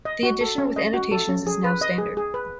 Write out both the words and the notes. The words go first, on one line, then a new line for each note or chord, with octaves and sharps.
The edition with annotations is now standard.
D#5
F#4
A4
C#4
D#5
F#4
A4
C#4
G#4
B4
D#5
G#4
G#4
B4